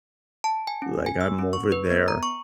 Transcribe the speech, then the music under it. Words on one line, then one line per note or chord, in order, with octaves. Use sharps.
Like, I'm over there
A5
G#5
C#4
G#5
E6
C#4
C#6
B4
B3
A#5
C#6